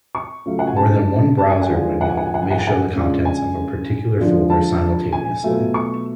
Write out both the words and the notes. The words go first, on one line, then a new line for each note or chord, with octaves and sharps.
More than one browser window may show the contents of a particular folder simultaneously.
C#6
C#3 F#3 A3 C#4 F4
F#5
G#5
A5
A5
G#5
F#5
F2 D3 F3 G#3 D4 G#5
F#5
G#5
F#5
G#5
F#5
G#5
F#5
G#5
F#5
C#3 G#3 D4 F4
G#5
D3 F3 G#3 D4 F4
A5
G#5
B2 F#3 A3 F4
C#6